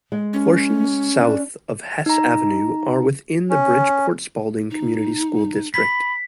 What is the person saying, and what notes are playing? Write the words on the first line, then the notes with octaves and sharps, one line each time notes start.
Portions south of Hess Avenue are within the Bridgeport-Spaulding Community School District.
G#3
C#4
D4
D#4 A#5
C#4
D#4
B5 B6